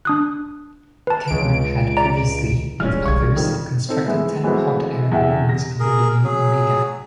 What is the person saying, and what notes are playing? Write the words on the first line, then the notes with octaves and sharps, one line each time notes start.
Cameron had previously, with others, constructed ten hot air balloons under the name Omega.
D4 D#6 F#6
B4 A5
C#2 D7
D5 A#5
D1 G1 E3 G3 G#3 C#4 F6
D1 B1 C#6 G#6
F2 D#3 C4
C4 D#4 A4
G#3 A3 B3 E4
E3 F#3 G#3 A3 B3 C4
E2 E5 G5
G4 A#6
G#4 A#4
F#3 G#4